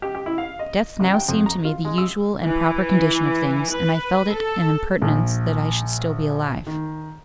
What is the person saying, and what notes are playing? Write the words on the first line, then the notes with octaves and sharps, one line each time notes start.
Death now seemed to me the usual and proper condition of things, and I felt it an impertinence that I should still be alive.
G4
G4
E4
F5
D#5
A1
G5
F2
A#5
F4
G#3
E6
E3
B4
A4
A#1
D#3